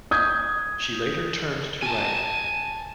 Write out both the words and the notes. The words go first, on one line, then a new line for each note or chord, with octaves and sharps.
She later turned to writing.
D#6 G6 G#6
G#5 A5